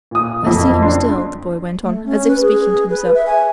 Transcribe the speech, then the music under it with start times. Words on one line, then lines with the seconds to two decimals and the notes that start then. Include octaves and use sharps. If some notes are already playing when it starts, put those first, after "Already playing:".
"I see him still," the boy went on, as if speaking to himself.
0.11 A#2 D#6
0.42 F#1 F2
0.83 D4 C6
1.83 A3
2.05 C#4
2.28 B4
2.41 G#4
2.90 B4
3.15 E5
3.26 G#5